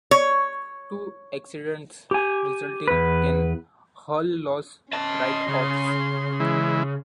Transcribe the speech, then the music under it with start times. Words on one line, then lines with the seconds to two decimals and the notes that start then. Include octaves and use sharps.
Two accidents resulted in hull loss write-offs.
0.11 C#5
2.11 G4 G#5
2.88 E2 B4
4.93 C#4 D#5 A5 C6
5.48 C#3
6.40 E3 G#3 E4